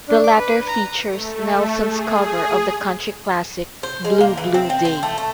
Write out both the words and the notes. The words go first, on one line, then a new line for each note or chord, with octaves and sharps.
The latter features Nelson's cover of the country classic "Blue, Blue Day".
D4
D6
B4
A#5
A3
G#4
C5
G#3
A#3
E3
C4
C4
C5
A3
A3